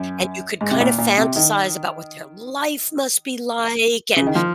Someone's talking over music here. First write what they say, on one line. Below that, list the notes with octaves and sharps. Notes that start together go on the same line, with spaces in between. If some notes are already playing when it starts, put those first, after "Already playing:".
and you could kind of fantasize about what their life must be like, and
Already playing: F#2
G#2
C3
A#2
A#2
C3
D#3
C#3
D#3
F3